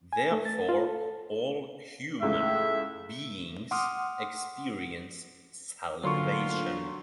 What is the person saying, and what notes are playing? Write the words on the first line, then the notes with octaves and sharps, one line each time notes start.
Therefore, all human beings experience salvation.
G#5
A3
A6
F4
A4
C#2 A2 E5
F#5 C6 D6 D#6 F6
A#2 D3 F#3 F4 C6 C#6